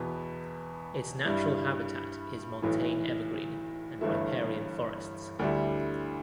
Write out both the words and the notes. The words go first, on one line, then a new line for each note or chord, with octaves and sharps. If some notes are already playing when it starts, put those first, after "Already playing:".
Its natural habitat is montane evergreen and riparian forests.
Already playing: E2 B2 B3
G2 G3 E4
B1 A2 E3
G1 G2 E3 A3 E4
D2 D3 G3 E4